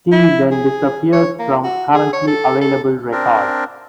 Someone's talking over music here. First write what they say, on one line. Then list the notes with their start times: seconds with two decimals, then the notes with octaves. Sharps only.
She then disappears from currently available records.
0.12 E4
0.51 G#4
1.13 C#5
1.39 A#3
1.64 F#4
1.94 G#4
2.13 C#5
2.27 A4
2.61 A4
3.12 C4 D4 A#4